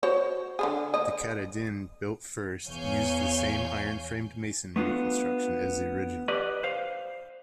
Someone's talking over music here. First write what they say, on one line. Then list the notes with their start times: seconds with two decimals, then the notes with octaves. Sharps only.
The Katahdin, built first, used the same iron framed masonry construction as the original.
0.03 F#4 C5 C#5
0.59 D3 E3 G#4
0.94 A#3 D#5
2.68 E2 C#5 F5 G#5 G6
4.76 A3 B3 D4 F4
6.28 G4 B4 D5 D#5
6.63 C5 F5